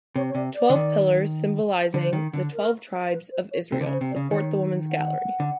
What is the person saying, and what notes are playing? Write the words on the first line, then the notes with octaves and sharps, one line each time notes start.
Twelve pillars, symbolising the twelve tribes of Israel, support the women's gallery.
C3 C#5
C#5
C3 D5
D5
D3
D#3
D3 C5
D#3
D3
A#4
B4
C5
C#5
C3 C5
D3
C#3
C5
C3
D5
C#3
D#3 C#5
F#5
D3